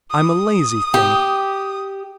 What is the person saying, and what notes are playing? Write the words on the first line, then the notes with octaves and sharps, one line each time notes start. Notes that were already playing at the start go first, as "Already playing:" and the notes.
I'm a lazy thing.
D#6
G4